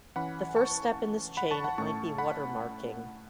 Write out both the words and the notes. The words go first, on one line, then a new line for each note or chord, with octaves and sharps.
The first step in this chain might be watermarking.
E3 C#4 F#5 B5
A5 C#6
F#5 B5
A5 C#6
F#5 B5
A2 A3 C#4 A5 C#6
F#5 B5